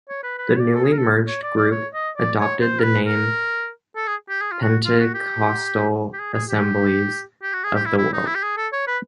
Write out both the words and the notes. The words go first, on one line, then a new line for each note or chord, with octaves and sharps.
The newly merged group adopted the name Pentecostal Assemblies of the World.
C#5
B4
B4
C#5
D5
A4
G#4
A#4
A4
C#5
D5
D5
C#5
D#5
D5
C#5
C5
A#4
B4
A#4
A4
G#4
G4
G#4
F4
F#4
F4
F#4
G4
G4
G#4
G#4
G4
G4
F#4
G#4
G4
E4
E4
D#4
E4
G4
G#4
A4
C#5
B4